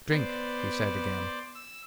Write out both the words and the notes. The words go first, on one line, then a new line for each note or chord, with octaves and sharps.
"Drink!" he said again.
B3 C5 D5
E6